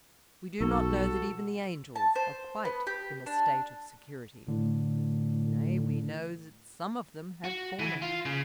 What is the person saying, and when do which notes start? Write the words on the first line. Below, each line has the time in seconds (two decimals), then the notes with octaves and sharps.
We do not know that even the angels are quite in a state of security; nay we know that some of them have fallen.
0.61 B1 F#4 A4
1.95 A5
2.15 C5
2.65 B3
2.87 G4
3.26 D4
4.48 A2 D3
7.44 F#4
7.79 E3
8.02 F4
8.25 C#3